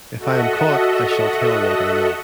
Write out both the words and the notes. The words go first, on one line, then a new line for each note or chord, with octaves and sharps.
If I am caught I shall tell what I know.
F#4 A4 D#5 E5 F#5